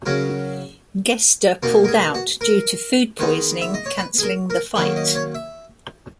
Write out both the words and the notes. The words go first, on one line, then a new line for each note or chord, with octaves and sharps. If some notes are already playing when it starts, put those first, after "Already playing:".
Gesta pulled out due to food poisoning cancelling the fight.
C#3 F#3 C#4 A#4
B2 A#3 D#4 A#4
A#4
G#4
F#4
A#4
D#3 G#3 B3 D#4
E5
D#5
C#5
B4
G#4
A#4
A#4
D#3 F#3 A#3 C#4 B4
D#5
C#5
E5